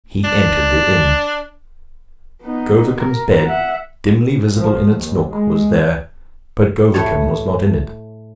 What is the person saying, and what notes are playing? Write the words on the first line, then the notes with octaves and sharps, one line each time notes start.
He entered the inn. Govicum's bed, dimly visible in its nook, was there; but Govicum was not in it.
D4
B3 D#4
A#4
E5 F#5
F3
D#2
G#3
A2 A3 C#5 A5